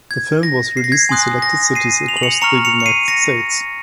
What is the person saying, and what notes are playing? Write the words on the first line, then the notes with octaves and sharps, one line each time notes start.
The film was released in selected cities across the United States.
G#6
A#6
C7
A#6
G#6 C7
G#5 C6 D#6 F#6
A#6
C7 D#7
F7
F#7
C#7 F7
A#5 C#6 F6 C#7 F7
C#7 F7
C#7
C7 D#7
A#6 C#7